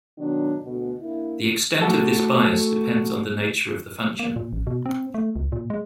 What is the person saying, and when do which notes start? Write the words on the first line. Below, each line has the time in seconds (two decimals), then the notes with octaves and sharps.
The extent of this bias depends on the nature of the function.
0.18 B2 D#3 F#3 D4
0.64 D2 B2
1.00 A#3 D4 E4
1.82 A3 F#4 A4
4.19 A#3
4.36 A#2
4.53 A1
4.67 B2
4.86 C4
5.14 A3
5.36 C#2
5.52 A#2
5.70 G#3